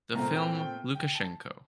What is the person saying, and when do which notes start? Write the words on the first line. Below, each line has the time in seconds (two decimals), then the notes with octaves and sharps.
The film ‘Lukashenko.
0.15 A#2 A3 C4 A#5
0.36 G5
0.55 G5
0.95 G5
1.15 A5